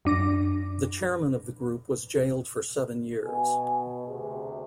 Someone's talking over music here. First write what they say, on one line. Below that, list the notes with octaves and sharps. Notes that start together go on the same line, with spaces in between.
The chairman of the group was jailed for seven years.
F#2 D4 D6 A#6
B2 G#5
D2 C3 G#4